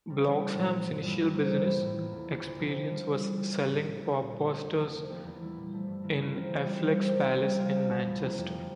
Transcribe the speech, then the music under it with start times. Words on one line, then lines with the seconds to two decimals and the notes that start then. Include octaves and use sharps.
Bloxham's initial business experience was selling pop posters in Affleck's Palace in Manchester.
0.10 C3 G3
0.25 E3
0.40 A3 C4
0.56 A#2
0.71 F3 A#3
0.88 G2
1.03 E3 G3 D4 F4
1.19 G3
1.34 A#3 F4 C5
1.50 C3
1.66 E3 A#3
1.81 A2
1.98 E3 A#3
2.12 E2
2.29 E3 A#3 D4 F4
2.44 D2
2.59 C3 F3 A3 C4
2.75 D3
2.90 G3 C4 F4
3.06 E3
3.22 G3 D4
3.37 G3
3.53 D4 F4 A#4 E5
3.69 A2
3.84 F3 A#3
3.99 C2
4.16 A#2 A3 C4
4.31 D3
4.46 A3 C4 G4
4.63 F2
4.78 C3 F3 A3 D4
4.94 C3
5.09 F3 A#3 D4 G4
5.24 E2
5.40 E3 G3 A#3 E4
5.56 A#2
5.72 F3 A3
5.88 G2
6.04 E3 A#3
6.19 D3
6.35 F3 C4 F4 A#4
6.50 E3
6.65 G3 C4
6.81 F3
6.96 C4 G4 C5 E5
7.12 C2
7.28 C3 G3 A#3
7.44 G3
7.59 C4 F4 C5 F5
7.75 C2
7.91 A#2 A3
8.06 E2
8.22 C3 F3 A#3
8.38 F2
8.53 D3 G3